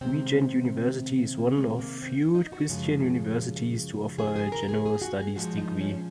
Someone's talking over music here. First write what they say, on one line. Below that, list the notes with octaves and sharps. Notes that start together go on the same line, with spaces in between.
Regent University is one of few Christian universities to offer a general studies degree.
C3 D#3 G#3 C4
A#3
G#3
A#3
C4
D#4
F#4
F#2 C#3 F3 G#3
G#4
G#4
A#4
G#4
G#4
F#4
G#4
A#2 F3 G#3 F#4
D#4
C#4